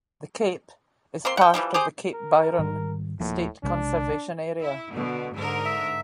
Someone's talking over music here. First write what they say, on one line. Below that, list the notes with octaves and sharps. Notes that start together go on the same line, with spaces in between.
The Cape is part of the Cape Byron State Conservation Area.
A#3 C4 C6
F#5 G5
E3 F3 G3 G#3
G4 G#4 C5
A#4
G#2 D#3 G3
D#1 A2 F3 A#3
B1 C3 G#3 D4
E4
B2 D3
G#2 D3 A#4
E5